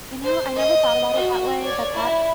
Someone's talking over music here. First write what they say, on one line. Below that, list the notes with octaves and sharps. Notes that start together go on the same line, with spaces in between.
You know, I never thought about it that way, but that
C5
D#5
F#4
C#5 D5
E4